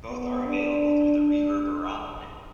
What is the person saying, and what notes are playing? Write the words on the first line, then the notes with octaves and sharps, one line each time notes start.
Both are available through the Reverberama label.
B3
D4
D4